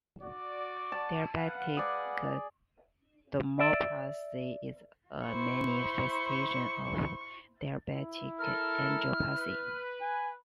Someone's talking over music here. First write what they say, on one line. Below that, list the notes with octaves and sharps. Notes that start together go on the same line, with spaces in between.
"Diabetic dermopathy" is a manifestation of diabetic angiopathy.
F#4 D5
A5
B4 F5 F#5
G#4 D5 D6
D5 E5
E4 C5 C#6
E4
A4 A#4 F6
B4
G#5